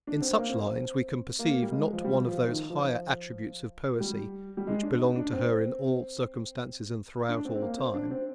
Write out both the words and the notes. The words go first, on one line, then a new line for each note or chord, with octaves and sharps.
In such lines we can perceive not one of those higher attributes of Poesy which belong to her in all circumstances and throughout all time.
D4
C4
A#3
C4
A#3
G3
G#3
F3
G3
F3
D#3
F3
G3
G3
G#3
D4
D#4
D4
C4
D4
C4
C4
A#3
C4
D4
C4